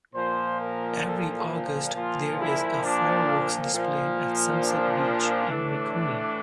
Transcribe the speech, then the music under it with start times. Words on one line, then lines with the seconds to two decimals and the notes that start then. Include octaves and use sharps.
Every August there is a fireworks display at Sunset Beach in Mikuni.
0.13 A#2 F3 C5
0.59 A#4
1.02 A4
1.93 A#2 F3 F4
2.37 E4
2.82 D4
3.71 A#2 F3
4.60 D4
5.50 A2 E3